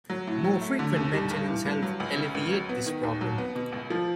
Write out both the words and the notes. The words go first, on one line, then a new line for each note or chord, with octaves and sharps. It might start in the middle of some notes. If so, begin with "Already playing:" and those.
More frequent maintenance helped alleviate this problem.
F#3
A2
F#3
A3
D3
D#2
G3
G2
E3
G2
F#3
C#2
C#3
C#2
F#3
B3
D#3
D#2
F#3
B3
B2
C#2
F3